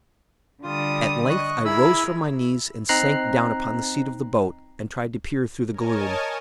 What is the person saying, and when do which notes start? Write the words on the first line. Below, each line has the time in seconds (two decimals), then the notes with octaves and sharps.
At length I rose from my knees and sank down upon the seat of the boat, and tried to peer through the gloom.
0.63 D3 G3 F4 D#6
1.29 D#5 C#6 F#6
1.65 E4 G#4 A#4 B5 E6
2.89 C4 D#4 A#5 F#6 C7
5.73 A#4 C#5 D#5 G#5 A5